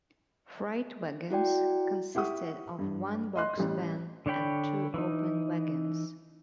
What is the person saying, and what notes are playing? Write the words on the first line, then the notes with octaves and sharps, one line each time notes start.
Freight wagons consisted of one box van and two open wagons.
E4 F#4 D5 G5
E4 G4 F#5 C#6 D#6
G2
D#5 C6 F#6
A1 G3
D3 D4 C#5 G5 B5
E3 D#4